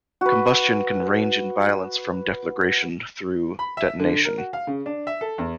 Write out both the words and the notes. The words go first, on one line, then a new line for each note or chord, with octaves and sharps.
Combustion can range in violence from deflagration through detonation.
F#4 B4
B5
E5
D3
A#4
F#4
F5
C#3
D4
E5
A4
E2